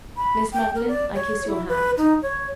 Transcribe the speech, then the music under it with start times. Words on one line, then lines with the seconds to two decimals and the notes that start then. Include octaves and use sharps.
Miss Madeline, I kiss your hand.'
0.17 B5
0.53 G5
0.75 A#4
0.88 D5
1.15 C#5
1.47 E4
1.68 B4
1.97 D#4
2.22 C#5